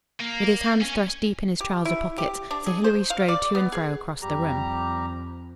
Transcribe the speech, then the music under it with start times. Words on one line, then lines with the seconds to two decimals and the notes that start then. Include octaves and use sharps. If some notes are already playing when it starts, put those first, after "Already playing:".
With his hands thrust deep in his trousers pockets, Sir Hilary strode to and fro across the room.
0.20 A#3
0.81 C#4
1.60 G4
1.85 E4
2.18 G4
2.51 D4
2.66 G#4
2.84 C5
3.10 F5
3.28 D5
3.55 B3
3.72 G#4
4.22 F2 G3 G4 A#5